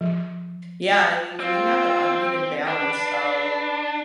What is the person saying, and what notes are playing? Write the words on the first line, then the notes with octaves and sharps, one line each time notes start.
Yeah, I mean, when you have an uneven balance of
F3
C4 F4
D4 B4